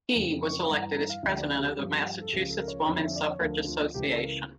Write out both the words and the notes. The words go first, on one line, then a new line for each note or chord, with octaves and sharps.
He was elected as president of the Massachusetts Woman Suffrage Association.
F2 C#3 E3
C#6
G2 E3 A#5
A#5
A#5
F5
D2 D3 F3 E5
D5
G4
G2 F3
A4
C#2 C#3 F3 G4
A4
A#4
C#5
F2 D3 F3
E5
D5
C#5
D2 D3 F3 A#4
F4
C#2 C#3 E3 G4
A4
A#4